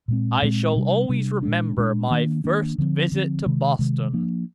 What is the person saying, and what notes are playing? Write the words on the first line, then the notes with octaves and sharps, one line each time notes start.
I shall always remember my first visit to Boston.
A#2 G#3 C4
A#2 G#3 C4
C3 G3 D4
C3 G3 D4
A#2 G#3 D4
A#2 G#3 D4
D#3 A#3 D4
D#3 A#3 D4
D3 F3 C4
D3 F3 C4
C3 D#3 G#3
C3 D#3 G#3
F3 A#3 D4